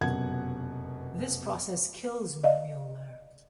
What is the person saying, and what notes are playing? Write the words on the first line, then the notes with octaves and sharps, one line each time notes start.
This process kills Mueller.
F1 F#2 B2 F#5 G#6
D5 D#5 F5